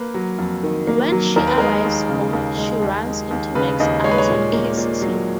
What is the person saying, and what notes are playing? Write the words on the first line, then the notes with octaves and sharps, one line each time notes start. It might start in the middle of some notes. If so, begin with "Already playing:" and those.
When she arrives home, she runs into Mike's arms and kisses him.
Already playing: A#3 B4
F#3
F2
D#3
A#3
F#3
D#2 A#4
B4
G#3 A#4
D#2
C#3
D#2
G#3
D#2
G#3
D#2
C#3 B4
D#2 D#5
G#3 C#5
B4
C#5
A#2
A#3
A#2
F#3